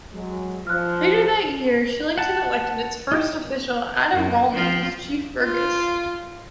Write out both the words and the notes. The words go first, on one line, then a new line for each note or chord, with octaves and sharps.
Later that year Shillington elected its first official, Adam Rollman, as chief burgess.
F#3 G#3
F3 F6 F#6
F#5 A5
D#4 G4
F#2
F3 C4 F4
F4